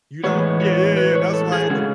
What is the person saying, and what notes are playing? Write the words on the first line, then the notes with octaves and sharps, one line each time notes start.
You don't Yeah, yeah, yeah, that's why I had to
A2 E3 G#3 B3 C#5
C#5
B4
C#5
A4
G#4
C#3 G#3 C#4 F#4